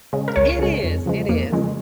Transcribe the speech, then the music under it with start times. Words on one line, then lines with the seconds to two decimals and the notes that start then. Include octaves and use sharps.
It is, it is.
0.13 C#3 G#3
0.28 A#4
0.36 C#2 C#5
0.59 C#3 G#3
0.83 F2
1.06 C#3 F3 G#3
1.29 F2 A#3
1.52 C#3 F3 G#3